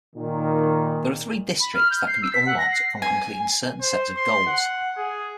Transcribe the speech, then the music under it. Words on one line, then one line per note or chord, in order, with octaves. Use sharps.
There are three districts that can be unlocked upon completing certain sets of goals.
A#2 D#3
B5
F6
G6
C7
E6
B6
F#5
A#6
C7
G#5
C5
C6
F#5
G#4